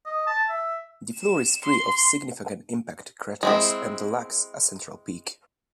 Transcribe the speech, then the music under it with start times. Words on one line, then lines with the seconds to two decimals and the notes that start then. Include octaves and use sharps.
The floor is free of significant impact craters and lacks a central peak.
0.05 D#5
0.27 A5
0.49 E5
1.16 E7
1.64 C6
3.43 G#3 C4 E4